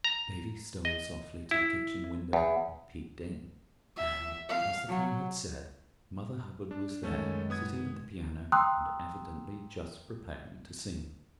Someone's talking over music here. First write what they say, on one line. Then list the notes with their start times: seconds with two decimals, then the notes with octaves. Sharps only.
Davy stole softly to the kitchen window and peeped in, and, as the Cow had said, Mother Hubbard was there, sitting at the piano, and evidently just preparing to sing.
0.04 A#5
0.85 D#5
1.51 E4
2.33 E2
3.96 E5
4.49 F5
4.89 F#3
6.71 D4
7.03 F#2 D#3 G#3 A3 C#4 A4
7.50 B3 D#6 G#6
8.52 G5 A#5 C6 D#6 E6 F#6